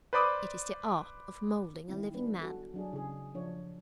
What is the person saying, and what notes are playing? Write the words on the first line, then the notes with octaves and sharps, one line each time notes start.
It is the art of moulding a living man.
B4 C5 D5 B5 D6 D#6
D#3 G#3 C4 E4
G3 B3 D4 B4
F#4 A4
F#3 D4 G#4
C#3 G#4
F3 D4 C#5